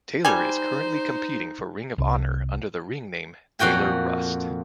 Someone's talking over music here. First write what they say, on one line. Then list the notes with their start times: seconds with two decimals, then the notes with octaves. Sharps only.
Taylor is currently competing for Ring of Honor under the ring name Taylor Rust.
0.25 G3 D#4 C5 G#5
1.98 C2
3.59 F2 A#2 F#4 G5 G#5